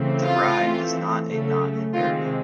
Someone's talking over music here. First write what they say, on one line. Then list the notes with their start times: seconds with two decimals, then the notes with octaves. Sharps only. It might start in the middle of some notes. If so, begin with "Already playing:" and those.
The writhe is not a knot invariant.
Already playing: C#3 E3 A3 C4
0.24 F4
0.58 E3 A3 C4
1.27 C#3 F#3 A3
1.95 C3 D#3 G#3 C4 F4